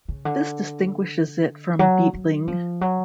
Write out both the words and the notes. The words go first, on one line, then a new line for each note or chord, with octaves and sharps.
This distinguishes it from Beetling.
C#3
D3
F#3
F#3
F3
F#3